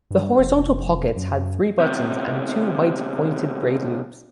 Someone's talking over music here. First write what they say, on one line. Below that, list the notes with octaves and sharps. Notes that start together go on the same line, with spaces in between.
The horizontal pockets had three buttons and two white pointed braid loops.
G2
F1
F#2
D2 C3